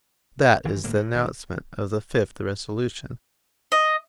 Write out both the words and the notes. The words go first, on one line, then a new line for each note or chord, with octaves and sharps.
That is the announcement of the fifth resolution.
G#1 E3
G1 A2 A#3
A2
G#1 G#2
D#5